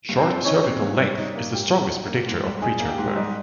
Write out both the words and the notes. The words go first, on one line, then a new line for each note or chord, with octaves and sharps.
Short cervical length is the strongest predictor of preterm birth.
G2
C4 C5
F3
C#4 D#4 C#5
C4
G2
G3
D#4
A#3
G#2 G4 G5
G3
D#4
A#3
G#2
G3
D#4 G#4 G#5
A#3
G4 G5
G#2
G3 D#4 D#5